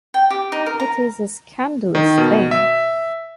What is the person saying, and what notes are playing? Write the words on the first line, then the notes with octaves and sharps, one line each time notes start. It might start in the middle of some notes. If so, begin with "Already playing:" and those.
It is a scandalous thing!
G5
G4
D#4
A#4
A#5
D#3
B2
E5